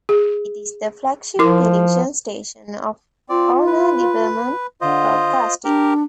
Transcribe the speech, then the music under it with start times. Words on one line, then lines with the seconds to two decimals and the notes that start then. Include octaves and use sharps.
It is the flagship television station of owner Liberman Broadcasting.
0.09 G#4
1.39 F3 E4 A#4 D6
3.29 C4 F4 D5
3.67 B4
4.81 D3 F4 C5 D#5
5.65 D4 G4 A#4